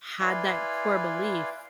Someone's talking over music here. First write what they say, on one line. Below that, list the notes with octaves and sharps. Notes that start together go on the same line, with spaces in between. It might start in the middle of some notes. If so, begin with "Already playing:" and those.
had that core belief,
E4 B4 D5 F5 G#5 C6